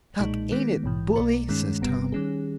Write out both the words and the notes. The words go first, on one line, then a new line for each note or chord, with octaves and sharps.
"Huck, ain't it bully!" says Tom.
B1 A#2 G#3 D#4
D#3 G#3 B3
A#1 G#2 E3
B1 B2 A#3
G2 D#3 G#3 C#4
G1 G2 G3 B3
D#3 G3 C#4 G#4